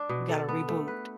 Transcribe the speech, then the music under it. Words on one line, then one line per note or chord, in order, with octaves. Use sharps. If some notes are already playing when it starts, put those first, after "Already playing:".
You gotta reboot.
Already playing: D4
B2
A4
B3
A3
B4